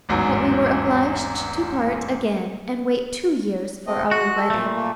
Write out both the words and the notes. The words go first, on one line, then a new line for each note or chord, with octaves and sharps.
But we were obliged to part again, and wait two years for our wedding.
A1 E2 G#2 F#3
A3 C4 D#5
F#4 F#6
A4
A#2 A3
A#3